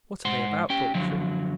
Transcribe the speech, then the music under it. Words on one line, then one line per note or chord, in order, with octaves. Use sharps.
"What are they about?" thought the Tree.
G#2 C5 F#5 C6
C#4 G4 G5
F#2 D3 F3 F#3